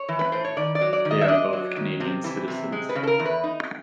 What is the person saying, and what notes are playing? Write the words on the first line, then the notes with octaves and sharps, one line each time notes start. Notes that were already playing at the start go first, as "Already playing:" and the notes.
They are both Canadian citizens.
Already playing: C#5
E3
B4
A2 C5
C#5
D#3 D5
D5
F#3
D5
D#3
D#5
E5
D4 D#5
F#3
D#3
C3
E3
C3
G#3
B4
C#3
A4
A#4
E2
B4
D#4